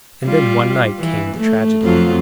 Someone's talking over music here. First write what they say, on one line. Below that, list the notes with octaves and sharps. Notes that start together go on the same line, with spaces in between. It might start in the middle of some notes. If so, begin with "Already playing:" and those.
And then one night came the tragedy.
G3 F4
E3
A3
F2 F#3 F4